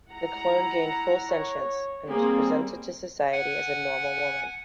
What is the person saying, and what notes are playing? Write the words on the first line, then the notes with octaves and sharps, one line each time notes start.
The clone gained full sentience and was presented to society as a normal woman.
E4 F#5 A#5
C#5
G3 A#3 C4 G#4
F#5 G#5